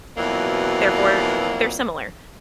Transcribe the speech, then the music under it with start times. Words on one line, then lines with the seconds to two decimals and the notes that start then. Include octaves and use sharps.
therefore, they're similar,
0.17 F2 B2 E3 F#3 A#3